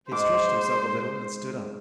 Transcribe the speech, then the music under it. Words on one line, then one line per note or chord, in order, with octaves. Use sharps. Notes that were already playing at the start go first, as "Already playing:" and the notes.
He stretched himself a little and stood up.
G#2 C5 D6